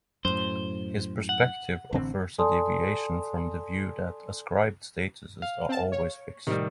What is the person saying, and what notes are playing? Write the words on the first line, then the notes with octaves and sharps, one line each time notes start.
His perspective offers a deviation from the view that ascribed statuses are always fixed.
F#2 A2 C5
F#5
A1 D3 C4
A4 D5 G#5 A5 C6 D#6
F5
C4 A5
C#5
A2 C3 D#3 G3